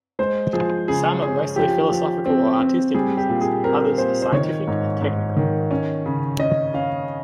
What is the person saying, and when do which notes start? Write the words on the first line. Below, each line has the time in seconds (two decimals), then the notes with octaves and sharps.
Some are mostly philosophical or artistic musings, others are scientific and technical.
0.19 G#3 C5
0.53 F3 G#4
0.88 C#3 G#4
1.22 C#4 G#4
1.56 F3 G4
1.91 F3
2.26 C4
2.60 C4
2.94 G3 G#4
3.17 G4
3.29 A#2
3.41 G#4
3.64 C4 A#4
3.98 A#2 C5
4.22 C5
4.32 D#3 C#5
4.67 G#2
5.01 G#2
5.37 D#3
5.71 C#4
6.06 C#3
6.39 C#4 D#5
6.74 C#4 F5